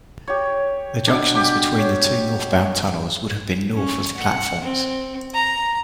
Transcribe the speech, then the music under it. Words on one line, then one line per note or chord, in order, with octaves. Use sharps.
The junctions between the two northbound tunnels would have been north of the platforms.
G4 C#5
B2 D4
G4 D6
C#5
C#4
F#5
C4
A#5